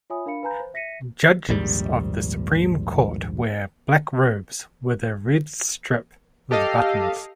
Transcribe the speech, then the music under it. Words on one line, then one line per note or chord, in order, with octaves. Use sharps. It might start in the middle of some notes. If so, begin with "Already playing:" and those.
Judges of the supreme court wear black robes with a red stip with buttons.
F4 C#5 E5 G#5 B5 D#6
D4 A#4 F5 B5 C#7
B4 F5 G#5 A#5 B5 G6
C5
E5 A#6 B6 C#7 D#7
A#1 D#2 G#2 G3
G4 A4 D#5 F5